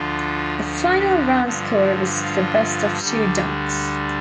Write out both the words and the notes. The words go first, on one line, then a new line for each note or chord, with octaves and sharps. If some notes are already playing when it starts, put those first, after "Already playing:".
The final round score was the best of two dunks.
Already playing: D2 D3 F3 F4
G2 D3 F3
F4
D2 D3 G3